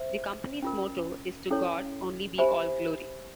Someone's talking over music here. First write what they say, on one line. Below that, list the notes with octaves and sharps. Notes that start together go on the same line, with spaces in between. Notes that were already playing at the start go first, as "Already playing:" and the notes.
The Company's motto is "To God Only Be All Glory".
Already playing: C5 E5
C#4 F4 A#4
C#4 E4 A4 C#5
G4 C5 E5 G#5 B5